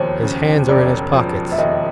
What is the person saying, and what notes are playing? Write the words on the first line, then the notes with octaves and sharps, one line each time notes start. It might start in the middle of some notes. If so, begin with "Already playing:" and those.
His hands are in his pockets.
Already playing: E1 D#2 F3 C5 C#5
C#3
E1 D5
F3
E5
D#2 D#5